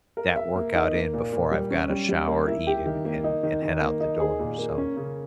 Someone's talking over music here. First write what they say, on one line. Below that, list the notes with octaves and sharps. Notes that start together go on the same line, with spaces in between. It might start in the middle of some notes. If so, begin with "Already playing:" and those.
that workout in before I've gotta shower, eat, and and and head out the door, so,
A#4
E5
A#3
D#4
A#3
A#2
A#2
G3
C#4
G3
G3
A#3
E4
G4
D#3
A#3
D#4
D#3
D#3
A#3
D#4
G#4
A#2
A#3
C#4
C#3